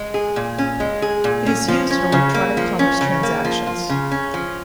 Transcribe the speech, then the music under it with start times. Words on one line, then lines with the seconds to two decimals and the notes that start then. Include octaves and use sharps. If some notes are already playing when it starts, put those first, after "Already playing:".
It is used in electronic commerce transactions.
Already playing: G#3
0.14 G#4
0.36 A#2
0.58 C#4
0.80 G#3
1.02 G#4
1.24 A#2
1.46 C#4
1.68 F3
1.90 C#4
2.12 C#3
2.34 A#3
2.57 F3
2.79 C#4
3.01 C#3
3.23 A#3
3.45 F3
3.67 F4
3.89 C#3
4.11 C#4
4.34 F3